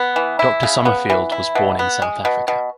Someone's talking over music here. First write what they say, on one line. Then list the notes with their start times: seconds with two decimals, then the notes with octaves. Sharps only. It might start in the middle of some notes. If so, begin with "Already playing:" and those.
Doctor Summerfield was born in South Africa.
Already playing: B3
0.16 E3
0.39 E4
0.63 C#3
0.85 B3
1.10 E3
1.32 E4
1.55 B2
1.79 B3
2.02 G#3
2.25 B2
2.48 B2